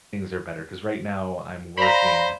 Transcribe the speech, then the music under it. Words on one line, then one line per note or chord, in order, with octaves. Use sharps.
things are better. 'Cause right now, I'm working
C5 D5 F5 A#5 B5